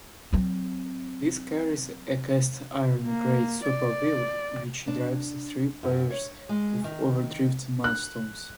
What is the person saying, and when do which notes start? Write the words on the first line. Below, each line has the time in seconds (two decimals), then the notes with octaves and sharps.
This carries a cast-iron Great Spur Wheel which drives three pairs of overdrift millstones.
0.33 F#3 C4
3.04 A#3
3.64 D5
4.88 D4
5.83 F#2
6.10 C#5
6.49 G#3
6.84 D#3
7.84 F#6